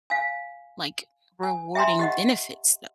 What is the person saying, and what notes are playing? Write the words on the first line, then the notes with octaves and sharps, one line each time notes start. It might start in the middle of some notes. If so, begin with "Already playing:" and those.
like, rewarding benefits though.
F5 G#5
G#5
E5 G5 G#5 A#5 C6
G4 D#5 F#5